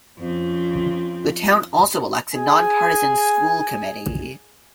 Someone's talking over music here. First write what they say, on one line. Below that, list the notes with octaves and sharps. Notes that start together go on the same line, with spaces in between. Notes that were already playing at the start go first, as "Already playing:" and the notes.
The town also elects a non-partisan school committee.
F2 C4 C#4
G#4 G#5